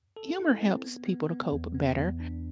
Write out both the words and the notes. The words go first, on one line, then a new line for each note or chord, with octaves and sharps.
humor helps people to cope better,
A4
E4
C4
B3
B3
B3
E2
B3
E2
D4